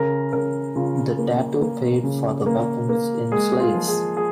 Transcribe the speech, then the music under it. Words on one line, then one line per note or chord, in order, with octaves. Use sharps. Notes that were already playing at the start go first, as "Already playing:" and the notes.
The Datu paid for the weapons in slaves.
Already playing: C#3 A#4
C#3 A#4
C#3 F4
A#3
A#3
C#3
A#3
A#3
G#3 G#4
F4
F3
G#4
G#4